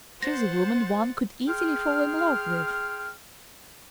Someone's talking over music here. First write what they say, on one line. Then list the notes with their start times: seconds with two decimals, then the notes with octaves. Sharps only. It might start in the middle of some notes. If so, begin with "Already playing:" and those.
"She's a woman one could easily fall in love with."
0.23 C5 F#5 A6 A#6
1.48 G#4 G5 C6 F6